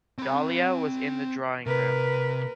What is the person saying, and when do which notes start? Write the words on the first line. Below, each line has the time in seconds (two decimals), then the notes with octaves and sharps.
Dahlia was in the drawing-room.
0.18 C4 B5
1.66 C3 A#4 B4